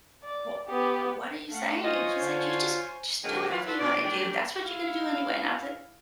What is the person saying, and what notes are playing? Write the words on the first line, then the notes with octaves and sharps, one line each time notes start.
what w what are you saying? He said, "you just just do whatever you want to do. That's what you're going to do anyway." And I was e
D5
B3 G4
A3 F5 F#5
F4 C5 C#5 D#5 G#5
D3
D3 D#3 F#3 G#3 A#3 C4
E3 F#3 F4
D4 F4 F#4 A4 B4
B2 D5
G3 A3 C#4 D4 G4
E4 F5